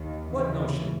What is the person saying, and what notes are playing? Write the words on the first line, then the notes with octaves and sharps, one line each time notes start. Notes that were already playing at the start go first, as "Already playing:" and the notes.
"What notion?"
Already playing: D#2 D#3
D#2 C#3 E3